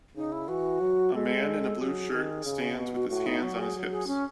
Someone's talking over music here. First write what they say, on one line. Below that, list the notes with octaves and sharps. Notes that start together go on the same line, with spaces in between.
A man in a blue shirt stands with his hands on his hips.
C#3 D#4
E4
E3 F#4
F#3
G#3 A4
F#3 G#4
D#3
C#3
B2 F#4
F#4
A2 F#4
D#4
F#3 F#4
G#4
F#3
G#4
C#4